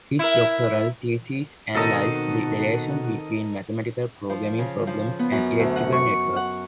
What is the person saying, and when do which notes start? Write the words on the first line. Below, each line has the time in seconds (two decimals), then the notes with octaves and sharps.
His doctoral thesis analyzed the relation between mathematical programming problems and electrical networks.
0.19 E4 A#4
1.75 B2 D#3 C4 D#4 F#4 A4 A#4 D#5
4.30 F3
4.59 C#3
4.87 F3
5.19 B3
5.32 F#2
5.60 D2
5.76 F#5
5.93 C#6
6.36 F#5